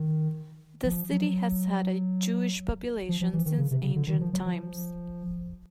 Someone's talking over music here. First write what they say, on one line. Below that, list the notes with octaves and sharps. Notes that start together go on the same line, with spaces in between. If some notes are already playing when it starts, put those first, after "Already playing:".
The city has had a Jewish population since ancient times.
Already playing: D#3
F3
F#3
F3
F3
E3
D#3
C#3
C3
C#3
D3
D#3
F3
F#3
F3